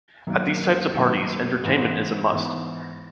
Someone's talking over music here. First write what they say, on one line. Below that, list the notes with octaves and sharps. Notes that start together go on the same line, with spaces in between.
At these types of parties entertainment is a must.
F#2 D#3 A#3
F#2 D#3 A#3
G#2 E3 B3
G#2 E3 B3